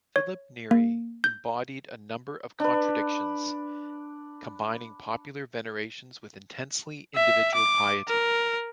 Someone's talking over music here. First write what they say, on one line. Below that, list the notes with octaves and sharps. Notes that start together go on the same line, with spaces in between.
Philip Neri embodied a number of contradictions, combining popular venerations with intensely individual piety.
C#5
A#3
G6
D4 B4
E5
D6
A#4